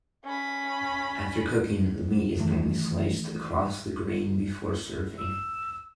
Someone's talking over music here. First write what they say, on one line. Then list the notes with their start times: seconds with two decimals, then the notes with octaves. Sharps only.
After cooking, the meat is normally sliced across the grain before serving.
0.25 C#4 B5
2.37 C3 D#3 E3 A3
5.18 E6